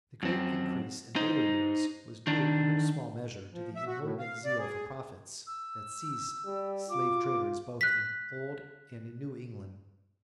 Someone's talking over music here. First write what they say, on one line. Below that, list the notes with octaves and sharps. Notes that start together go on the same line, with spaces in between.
The great increase in later years was due in no small measure to the inordinate zeal for profits that seized slave traders both in Old and in New England.
F#2 C4
D#4 C5
D#3 D4
F3
E5
F#4
A2
F5
D5
G#4
E6
G3
F4 D6
F#6 B6